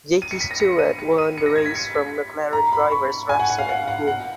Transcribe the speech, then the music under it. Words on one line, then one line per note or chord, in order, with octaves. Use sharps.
Jackie Stewart won the race from McLaren drivers Revson and Hulme.
D#7
C#7
B6
A#6
C#7
D#7
C#7
D#7
C#7
A#6
G#6
B6
C#7
B6
A#5
B5
C#6
G#5
F#5
F#5
F5
F#5
F#5
F#5